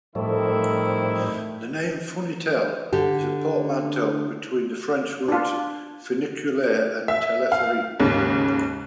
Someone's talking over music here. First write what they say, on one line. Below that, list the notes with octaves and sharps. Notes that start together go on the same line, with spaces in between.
The name "funitel" is a portmanteau between the French words "funiculaire" and "telepherique".
A2 D#3 F3 G3 A3 C4 E4
D3 G4
D4 F4
E5
F5
D#2 G#2 C#3